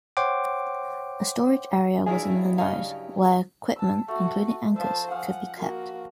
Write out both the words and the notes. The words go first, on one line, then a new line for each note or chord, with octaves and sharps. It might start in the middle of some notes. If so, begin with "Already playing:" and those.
A storage area was in the nose, where equipment, including anchors, could be kept.
C5 C#5 F#5 G5 C6 D6
G2 F#3 E4 G#4
C#3 D#5 F5
A5 E6
A3 F#4
F3 C5 E5 A5
F3 F5 F#5 G#5
A#3 F#4